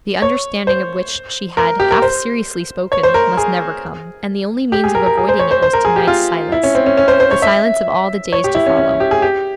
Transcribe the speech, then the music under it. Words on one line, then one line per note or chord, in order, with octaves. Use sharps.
The understanding of which she had half-seriously spoken must never come, and the only means of avoiding it was to-night's silence, the silence of all the days to follow.
C#5
C5
A#4
G4
A#4
C5
C#5
C5
A#4
G#4
G4
G#4
A#4
A#4
G#4
C5
C#5
C5
C5
A#4
G#4
G4
F4
E4
C#4
C4
C#4
C#4
C5
C5
C#5
E5
C#5
G4
E4
C#4
C#4
G4
G#4
G4